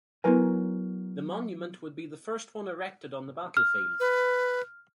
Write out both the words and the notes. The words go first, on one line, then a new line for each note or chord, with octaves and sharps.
The monument would be the first one erected on the battlefield.
F#3 B3 E4 A#4 B4 G#5
F6
B4